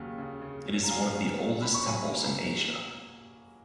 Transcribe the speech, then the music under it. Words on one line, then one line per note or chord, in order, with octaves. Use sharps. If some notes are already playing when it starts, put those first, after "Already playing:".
It is one of the oldest temples in Asia.
Already playing: D#2 C#3 F#3
C#3
C#3
C#4
A#5
F#3 F5 G#5
C#3
F#3
C#4 B5
C#6
F#3 G#5 B5
A#3